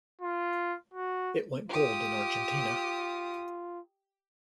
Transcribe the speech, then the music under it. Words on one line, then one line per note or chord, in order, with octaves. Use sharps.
It went gold in Argentina.
F4
F#4
F4 G4 D#6